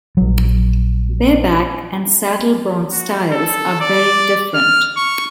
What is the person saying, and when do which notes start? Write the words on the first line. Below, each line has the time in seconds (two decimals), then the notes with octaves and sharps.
Bareback and Saddle bronc styles are very different.
0.17 A#1 F#3
2.92 F#4
3.32 A4
3.81 D5
4.55 F6
4.97 C#6